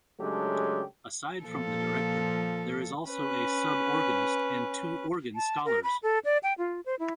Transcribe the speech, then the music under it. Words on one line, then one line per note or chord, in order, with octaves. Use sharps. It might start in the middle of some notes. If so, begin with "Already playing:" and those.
Aside from the director, there is also a sub-organist and two organ scholars.
C#3 F#3 G#3 A3 D4 G4
A#2 F3 A4
C#4 B4
A5
A#4
B5
A4
D5
G5
F4
C5
E4